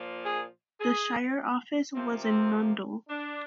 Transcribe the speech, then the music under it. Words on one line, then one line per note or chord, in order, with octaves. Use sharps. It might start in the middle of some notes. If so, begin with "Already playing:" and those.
The shire office was in Nundle.
Already playing: A#2 F3 A#3
G#4
G#4
C3 F3 A#3 C4
C4
D4